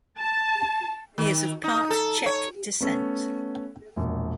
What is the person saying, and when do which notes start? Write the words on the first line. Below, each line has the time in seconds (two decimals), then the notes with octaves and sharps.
He is of part Czech descent.
0.19 A5
1.18 D#3
1.64 D#4
1.90 A4
2.26 C#5
2.80 A3 B3 C#4 A4
3.96 E1 A#1